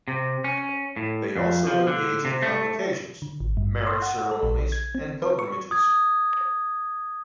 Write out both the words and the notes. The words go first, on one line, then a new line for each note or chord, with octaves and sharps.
They also engage in convocations, marriage ceremonies, and pilgrimages.
C3
C#4
A2
F2
F3
D3
C3
A3
D3
G#1
G2
C6
F#5
F#5
A4
A#1
G#6
C4
B4
C#6
D#6 G#6